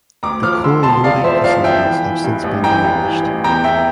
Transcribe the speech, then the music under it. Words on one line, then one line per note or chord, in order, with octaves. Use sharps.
The coal loading facilities have since been demolished.
D2 A#5 D6
F3 D6 F6
D3 C6 E6
E1 A5 C6
E1 D5 F5
F3 C5 E5
F3 D5 F5
F3 E5 G5
E3
E3
G2
A1
E3 G5 A#5
G2
E3
A1
E2 G5 A#5
E2 E5 G5